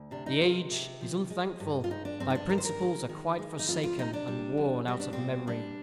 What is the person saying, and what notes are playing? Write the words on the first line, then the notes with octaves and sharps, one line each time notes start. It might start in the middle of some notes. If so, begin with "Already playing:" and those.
The age is unthankful, thy principles are quite forsaken, and worn out of memory.
Already playing: D2
C3 D4
D#4
G#3 F4
C3
F3
G#3
G2
F4
G#3 D#4
D4
G2 C4
D#4
D4
D#3 A#4
C5
A#4
G#3
D#3
G#3
D#4
F2 F4
F4
C3 D#4
D4
G3
F2
G3 C4
D4
A#2 C4
G3 D4